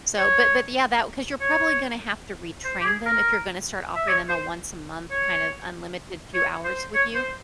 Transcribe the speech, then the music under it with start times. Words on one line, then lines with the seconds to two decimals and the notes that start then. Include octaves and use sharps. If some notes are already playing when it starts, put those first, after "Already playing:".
So, but but yeah, that 'cause you're probably gonna have to retrain them if you're gonna start offering them a once-a-month kind of unlimited few hours with you,
0.18 C#5
1.41 C#5
2.65 C5
2.80 G4
2.85 G#4
3.06 A#4
3.96 E5
4.08 C#5
4.29 C5
5.11 C#5
6.34 C#5
6.64 C5
6.95 C#5
7.15 C5